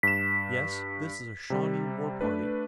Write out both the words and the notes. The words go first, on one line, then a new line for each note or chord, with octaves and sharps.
Yes, this is a Shawnee war-party.
G2 B6 E7
C3 G3
A3 D4 B4